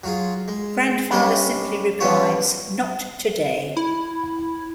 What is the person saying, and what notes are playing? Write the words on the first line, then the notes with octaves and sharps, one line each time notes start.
Grandfather simply replies, Not today.
F#3 F4 G#4
G#3
G3 C#4 D4 G4 B4 D#5
E3 G3 B3 C#4 F4 C#5
E4